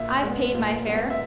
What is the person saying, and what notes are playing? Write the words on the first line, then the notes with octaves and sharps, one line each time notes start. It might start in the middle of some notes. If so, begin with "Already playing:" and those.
I've paid my fare.
Already playing: A#2 E5
G#3 B3
A#2
G#3 B3
E5